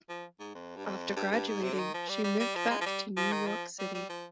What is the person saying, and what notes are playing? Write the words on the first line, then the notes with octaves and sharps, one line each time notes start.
After graduating she moved back to New York City.
F3
G#2
F2
G2
F2
G2
G2
G#2
C3
D3
D#3
F3
G3
G3
G3
F3
G#3
F3
G3
F3
D#3
F3
G3
G3
F3